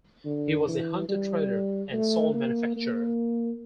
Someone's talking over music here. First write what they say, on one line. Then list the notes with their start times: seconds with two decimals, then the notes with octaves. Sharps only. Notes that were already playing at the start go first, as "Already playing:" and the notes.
He was a hunter-trader and salt manufacturer.
0.25 D3
0.67 E3
1.08 G3
1.92 A3
2.34 A#3
2.76 A#3